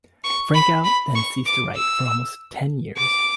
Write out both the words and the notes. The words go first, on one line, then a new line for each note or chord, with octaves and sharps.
Frankau then ceased to write for almost ten years.
C#6
B5
B5
C#6
D6
E6
D6